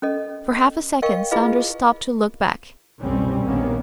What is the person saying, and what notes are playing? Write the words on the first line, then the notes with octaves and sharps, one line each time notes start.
For half a second Saunders stopped to look back.
C#4 A4 D#5
A#4 D#5 F5 G5 C#6
E4 F4 G#4 B4 D#5 F5
F#1 C2 B2 G3 C4 C#4
A#1 D#2 D#3 A#3 B3 C#4